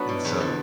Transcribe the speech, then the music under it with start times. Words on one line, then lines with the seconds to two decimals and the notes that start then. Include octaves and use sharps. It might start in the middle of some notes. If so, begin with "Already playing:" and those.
comedy. And so
Already playing: F#3 B3 D4 E4 F#4
0.09 B2
0.25 E2
0.40 D3